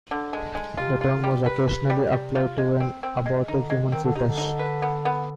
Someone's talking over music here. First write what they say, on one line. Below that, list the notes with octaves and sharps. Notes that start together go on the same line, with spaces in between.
The term was occasionally applied to an abortive human fetus.
D3
G#3
G#3
C3 F4
F4
D3
C3 G3
B4
B4
G3
G3
F4
G#3
C4
C4
G#3
D3 D#4
G#3
D#3 C4
D3
C3 D#4
D3
D#4
B4
B3
B3